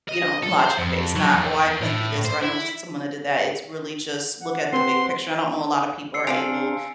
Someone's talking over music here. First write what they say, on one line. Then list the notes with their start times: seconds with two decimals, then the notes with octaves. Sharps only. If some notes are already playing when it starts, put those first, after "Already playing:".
you know, and logic-based not, "Oh, I've been through this, or I know someone that did that." It's really just look at the big picture. I don't know a lotta people are able
0.09 D#5
0.43 A4
0.60 C5
0.77 F2
1.16 F#3
1.33 E2
1.81 A2
2.25 C5
2.42 E4
4.42 F#5
4.73 C4 B4 C5 C6
6.14 E6 C7 C#7
6.27 C4 D4 F5 G#5 D7 F7